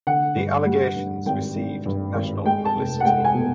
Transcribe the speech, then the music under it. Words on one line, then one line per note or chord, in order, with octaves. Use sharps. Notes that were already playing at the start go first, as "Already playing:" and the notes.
The allegations received national publicity.
D3 F#5
G2
G3
G2
G#1 G5
G#1
G2
G#1
G#3 G5
A5
F1
F#5
G#3 G5
G#5
B2